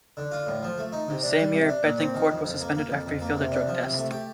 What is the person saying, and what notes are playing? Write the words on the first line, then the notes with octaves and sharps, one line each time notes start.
In the same year Betancourt was suspended after he failed a drug test.
D3
F4
A2
F3
A3
D#4
C3
D4
G3
C3
D4
A#2
C4
D#3
F2
F2
A#3
A#3
F2
F2
A#3
C3
D4
F3
C3
A3
G4